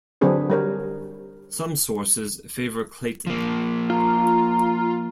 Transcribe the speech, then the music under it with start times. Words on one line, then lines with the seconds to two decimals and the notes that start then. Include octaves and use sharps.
Some sources favour Clayton.
0.21 D3 F#3 C4 D4 G#4 B4
0.50 G3 A#4 C#5
3.27 F3 A#3
3.90 F4 A#5